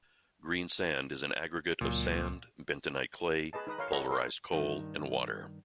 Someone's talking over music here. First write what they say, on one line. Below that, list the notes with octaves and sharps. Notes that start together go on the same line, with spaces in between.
Green sand is an aggregate of sand, bentonite clay, pulverized coal and water.
C#2 A#2 F#3
G#4 B4 D#5 A5
D#4 B4 D#6
A#4 C#5 F5 C6
A4 B4 C#5 D#5 A#5 B5
G#4 A#4 C6
G2 D#3